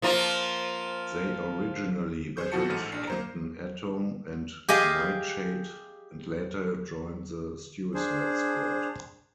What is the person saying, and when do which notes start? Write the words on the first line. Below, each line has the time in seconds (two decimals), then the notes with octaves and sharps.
They originally battled Captain Atom and Nightshade and later joined the Suicide Squad.
0.02 F3 A#3 F4
2.37 G#4 B4 C5 C#6 G6
2.52 B2 E3 F3 F#4 A5 C#7
2.69 A1 G#2 A4 F6 D#7
2.92 A#1 D4 C7
3.08 A#3 C5 A#5
4.69 G4 G#4 D#5 F5
7.95 D4 G#4 C5